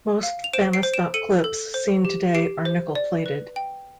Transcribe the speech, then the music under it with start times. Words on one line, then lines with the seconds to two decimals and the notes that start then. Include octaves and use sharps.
Most Fahnestock clips seen today are nickel-plated.
0.23 F5
0.44 F7
0.53 C5 D7 E7
0.73 C7 D7
0.83 C5
0.94 D7 E7
1.14 A4 C#7 D#7
1.44 A4
1.74 C5
2.05 G4
2.35 G4 C7 D7
2.65 C5
2.95 D5
3.26 B4
3.56 G5